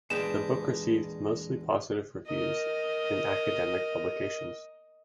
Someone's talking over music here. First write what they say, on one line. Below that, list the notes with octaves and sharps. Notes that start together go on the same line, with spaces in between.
The book received mostly positive reviews in academic publications.
E2 A#2 G#3 D4 B4 G5 E7
A#4 D#5